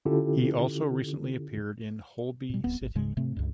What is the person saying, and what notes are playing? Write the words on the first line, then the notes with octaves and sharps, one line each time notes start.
He also recently appeared in "Holby City".
D3 C#4 E4 F4 G4 A4
A#2 G3
D1 B3 C4
G#1
D1 G#2 C#3 G#3
G#2 C3 A3 C4
C#2 G2